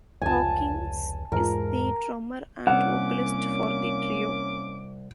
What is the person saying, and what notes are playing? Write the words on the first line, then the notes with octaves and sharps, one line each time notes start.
Hawkins is the drummer and vocalist for the trio.
F1 C#2 G#5 A5
E2 G#2 G#3 A#4
C2 A#3 C#4 F#5 D6